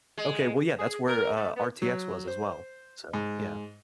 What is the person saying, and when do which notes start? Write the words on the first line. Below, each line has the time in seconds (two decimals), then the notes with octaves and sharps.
Okay, well, yeah, that's where, uh, RTX was as well, so, yeah.
0.18 G#3
0.78 G#4
1.08 A#4
1.36 A3
1.56 B3
1.82 F#3
2.27 C5
3.13 G#2